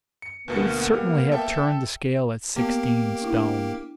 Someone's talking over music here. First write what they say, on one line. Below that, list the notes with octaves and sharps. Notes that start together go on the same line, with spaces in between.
He would certainly have turned the scale at sixteen stone.
C#7
D2 B2 A#3 B3 C#7
G3
A4 E5 G5
A#3 B3 G4
D4 E4